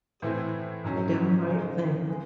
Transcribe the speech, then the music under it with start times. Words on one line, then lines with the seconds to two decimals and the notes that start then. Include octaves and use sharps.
A downright thing.
0.22 A2 E3 C4 E4
0.84 G#2 F#3 C#4
1.47 C#3 G#3 D#4
2.09 E3 G#3